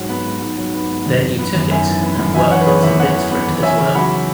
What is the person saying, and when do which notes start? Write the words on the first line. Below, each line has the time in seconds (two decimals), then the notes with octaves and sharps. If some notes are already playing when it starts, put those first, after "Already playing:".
Then you took it and worked on some bits for it as well.
Already playing: G#2 F#3 F#5
0.09 B3
0.26 G#2
0.42 G#2
0.57 F#3
0.75 B3
0.89 G#2
1.06 F#2
1.22 E3
1.39 B3
1.55 F#2
1.71 F#2 E5 G#5
1.86 E3
2.02 B3
2.19 F#2
2.34 E2 E5 G#5
2.50 E3 C#5 F#5
2.61 B4
2.66 B3 G#4 C#5
2.83 E2 B4 E5
2.99 E2 C#5 F#5
3.15 E3
3.31 B3
3.47 E2
3.63 C#4 E5 G#5
3.79 C#3
3.95 F#3 F#5 B5